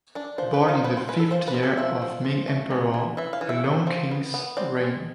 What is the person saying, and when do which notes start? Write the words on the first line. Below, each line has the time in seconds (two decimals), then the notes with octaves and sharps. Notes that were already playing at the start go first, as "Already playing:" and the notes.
Born in the fifth year of Ming Emperor Longqing’s reign.
0.15 D4 D5
0.38 F3 C5
0.54 B4
0.61 F3
0.69 F4
0.84 F3 B4
0.97 C5
1.08 G#3 B4
1.20 A4
1.31 F3 C5
1.48 B4
1.54 F3
1.63 A4
1.77 F3 E5
2.02 F3
2.25 F3
2.48 A3
2.71 G#3
2.94 E3
3.17 E3 E5
3.33 F5
3.41 E3
3.49 E5
3.64 F3
3.87 F3
4.11 B3
4.34 B3
4.57 C4 D5
4.81 G#3